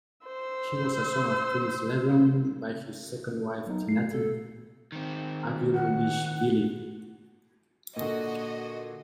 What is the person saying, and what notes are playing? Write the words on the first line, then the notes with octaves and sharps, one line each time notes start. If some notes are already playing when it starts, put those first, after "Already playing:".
He was a son of Prince Levan by his second wife, Tinatin Avalishvili.
C5 E6
F#3 B3 D#4
C7
A4
D#3 C4
F#5
A#2 D3 F#4 D#5